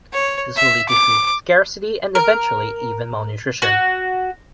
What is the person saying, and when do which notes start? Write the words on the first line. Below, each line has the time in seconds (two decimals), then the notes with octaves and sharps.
This will lead to food scarcity and eventually even malnutrition.
0.13 C#5
0.56 E5
0.89 D6
2.15 A#4
3.62 F#4